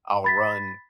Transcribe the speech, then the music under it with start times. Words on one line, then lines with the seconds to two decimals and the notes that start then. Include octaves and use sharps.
I'll run
0.24 B5 A6 B6